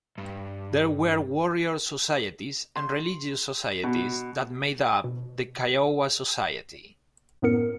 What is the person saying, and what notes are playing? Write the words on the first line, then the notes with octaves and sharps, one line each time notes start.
There were warrior societies and religious societies that made up the Kiowa society.
G2
C6
B2
B2
F#2 A2 B3 A#4 C#7